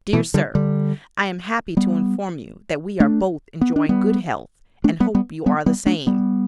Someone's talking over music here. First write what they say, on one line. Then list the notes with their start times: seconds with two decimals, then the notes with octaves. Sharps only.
DEAR SIR:--I am happy to inform you that we are both enjoying good health and hope you are the same.
0.13 B2 E3
0.34 D3 G3
0.55 D3 G3
1.77 G3 B3
3.00 A3 D4
3.61 B3
3.76 D4
3.89 G3 B3
4.84 A3 D4
5.00 G3 B3
5.15 G3 B3
5.46 G3 B3
5.66 G3 B3
5.86 A3 D4
6.07 G3 B3